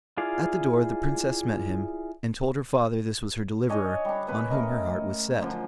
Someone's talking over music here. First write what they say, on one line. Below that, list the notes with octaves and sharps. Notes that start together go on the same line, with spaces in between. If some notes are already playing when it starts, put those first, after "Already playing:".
At the door the Princess met him, and told her father this was her deliverer, on whom her heart was set.
E4 F4 G#4 D5 F5
D4 C#5 D#5 G#5
G3 D4
A#3 C#4 B4 B5
A3 A#4 D#5
F#2 D3 F3 C#4